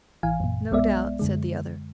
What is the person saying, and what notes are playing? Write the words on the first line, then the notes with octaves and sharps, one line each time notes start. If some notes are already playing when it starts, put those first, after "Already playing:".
"No doubt," said the other.
A1 E3 F5 G#5
F#2 A#2
B1 G#3 B3 D5 E5
F#2 D3 G#3